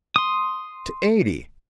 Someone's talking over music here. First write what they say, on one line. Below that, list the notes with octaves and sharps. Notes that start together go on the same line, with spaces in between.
To eighty! ...
C6 D#6